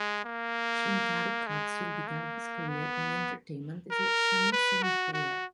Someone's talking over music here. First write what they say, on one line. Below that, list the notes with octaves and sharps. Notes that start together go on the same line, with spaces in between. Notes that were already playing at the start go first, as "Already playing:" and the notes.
Shintaro Katsu began his career in entertainment as a shamisen player.
Already playing: G#3
A#3
G#3
A#3
B3
A#4
B4
F#4
F#4